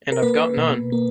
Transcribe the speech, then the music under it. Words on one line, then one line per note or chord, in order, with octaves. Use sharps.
And I’ve got none.
A#4
A#3 B4
B2
A#3